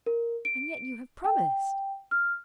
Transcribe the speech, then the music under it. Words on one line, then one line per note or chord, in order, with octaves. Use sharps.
"And yet you have promised?"
A#4
D7
G5
F6